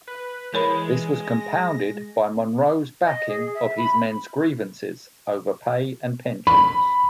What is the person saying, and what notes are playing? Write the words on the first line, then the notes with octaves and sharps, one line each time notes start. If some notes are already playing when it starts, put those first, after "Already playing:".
This was compounded by Monro's backing of his men's grievances over pay and pensions.
B4
E3 G#3 A#4 C#5 B5
A#6
D#5
G#4
E5
B5
B5